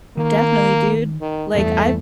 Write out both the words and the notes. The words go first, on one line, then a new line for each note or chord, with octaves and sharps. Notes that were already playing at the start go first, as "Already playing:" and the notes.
Definitely, dude. Like I've
D#3 A#3
D#3
E2 G2 A3